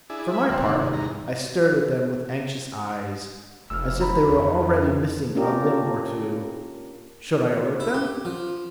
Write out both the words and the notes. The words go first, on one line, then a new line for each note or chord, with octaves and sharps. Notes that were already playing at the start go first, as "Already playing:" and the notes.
For my part, I stared at them with anxious eyes, as if they were already missing a limb or two. Should I alert them?
D4 E4 G#4
E5 G#5 B5
D2 A#3 F#5 G5 C6
C3 D#3
G#2
E2 G#2 A#5
F1 E6 F6
A#5 B5
D2
F2
A#3 C#4 D4 F4 G4 A#4
E4
G4
F3